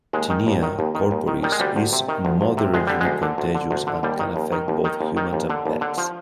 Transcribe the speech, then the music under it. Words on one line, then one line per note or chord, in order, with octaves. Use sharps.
Tinea corporis is moderately contagious and can affect both humans and pets.
D#2 G#3
D#3
D#2
D#3
D#2
D#3
D#2
D#3
D#3 G3
G#3
D2 G3
D2
C3
D#3
D2
D2
C3
D2 G#3
D3 G3
D2 G#3
D3
D2
D3
D2
D3
D#2 G3
D#3
D#2
D#3
D#2
D#3
D#2
D#3
D#2
D3
D#2
D3
F3